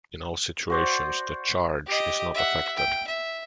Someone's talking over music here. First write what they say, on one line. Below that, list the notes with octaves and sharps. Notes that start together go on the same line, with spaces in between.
In all situations, the charge is not affected.
F#4 C5 D5
G4 D#5
E5 F#5
G5
E5